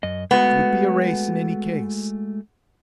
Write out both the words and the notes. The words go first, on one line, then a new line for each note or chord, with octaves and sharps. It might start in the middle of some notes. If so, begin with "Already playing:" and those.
It would be a race, in any case.
F#2 D#5
G#3 A3 B3 F#4